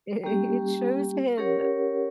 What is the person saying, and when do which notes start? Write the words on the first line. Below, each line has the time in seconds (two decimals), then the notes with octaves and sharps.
it it shows him
0.24 G3 A#3 C#4 G4
1.37 C#4 G4 A#4 C#5 F#5